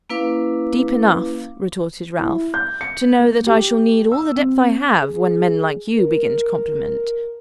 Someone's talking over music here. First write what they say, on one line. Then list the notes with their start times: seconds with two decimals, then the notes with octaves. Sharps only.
'Deep enough,' retorted Ralph, 'to know that I shall need all the depth I have, when men like you begin to compliment.
0.10 A#3 C#4 E4 B4 F5 D6
2.19 E4
2.54 G6
2.81 C#7
3.19 A#3
3.47 G4
4.12 E6
4.36 C4
5.00 G#4
5.98 A#4